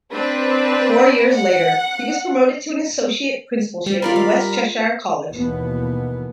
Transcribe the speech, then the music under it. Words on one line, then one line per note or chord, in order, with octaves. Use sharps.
Four years later, he was promoted to an associate principalship at West Cheshire College.
C4 D4 B4
F#5
G3
F4 A#4 D5 F5 B5
F5
D#2 B2 E3 B3